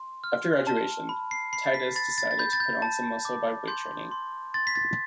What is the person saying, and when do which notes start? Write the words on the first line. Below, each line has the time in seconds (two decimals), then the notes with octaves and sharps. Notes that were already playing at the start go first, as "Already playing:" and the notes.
After graduation Titus decided to put on some muscle by weight training.
Already playing: C6
0.24 F6
0.67 A5
1.09 B5
1.31 C7
1.53 B5 C7
1.66 A6
1.74 B6
1.96 B5 A6
2.18 A6
2.31 A6
2.39 B5 G6
2.53 A6
2.60 G6
2.82 A5
3.25 D6
3.68 C6 G6
4.11 C6
4.54 C6 A6
4.67 B6
4.75 A6